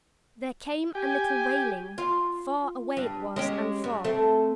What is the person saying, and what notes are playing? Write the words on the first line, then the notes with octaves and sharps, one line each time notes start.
There came a little wailing; far away it was and far.
G4 G#5
F4
G2
G#3 C#4 G4
G2
A3 C4